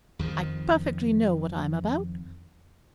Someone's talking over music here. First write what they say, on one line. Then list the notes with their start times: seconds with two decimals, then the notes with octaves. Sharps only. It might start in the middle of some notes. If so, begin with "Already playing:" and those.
I perfectly know what I'm about.
0.19 F2 D#3 F3